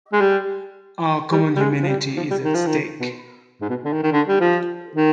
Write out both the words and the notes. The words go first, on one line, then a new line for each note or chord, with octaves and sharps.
Our common humanity is at stake.
G#3
G3
G3
G3
G#3
F3
G3
F3
G3
D#3
F3
D#3
B2
G#2
B2
D3
D#3
D#3
D3
G3
F3
D#3